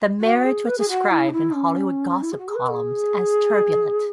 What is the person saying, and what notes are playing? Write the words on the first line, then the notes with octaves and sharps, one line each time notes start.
The marriage was described in Hollywood gossip columns as turbulent.
F#4
G#4
B4
G#4
F#4
E4
C#4
E4
C#4
E4
G#4
F#4
G#4
B4
G#4